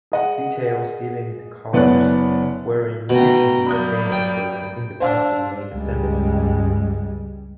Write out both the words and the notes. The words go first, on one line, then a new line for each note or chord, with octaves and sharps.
Details given the cars were unusually advanced for an independently made assembled car.
G#4 D#5 F#5
F#1 B3 C#5 D5 F#6
B2 A3 B4 G5 A#5
F#3 A#3 D5 B5 D#6 G6
G5
D4 C5 F5 E6
C#2 G2 G3 G#3